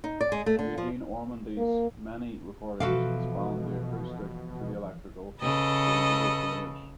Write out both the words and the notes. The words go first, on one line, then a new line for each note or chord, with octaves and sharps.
Eugene Ormandy's many recordings spanned the acoustic to the electrical to the digital age.
D#4
D5
G#3
A3
D3
F3
A#3
B2 E3 F3 F#4 A4 F5 D6
C#3 A4 B4 D#5